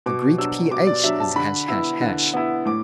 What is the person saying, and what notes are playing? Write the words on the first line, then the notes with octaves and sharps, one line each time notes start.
The Greek ph is ### .
B2 D6
F#3 D4 E6
B2 D6
D5
F#3 D4 E5
A5
D3 B5
B3 E4
D3
B3 E4
A2 D6